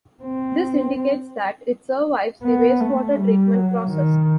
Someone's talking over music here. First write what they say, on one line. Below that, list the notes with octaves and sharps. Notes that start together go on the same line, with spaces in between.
This indicates that it survives the wastewater treatment process.
C4
B3
A3
G3
F#3
D#3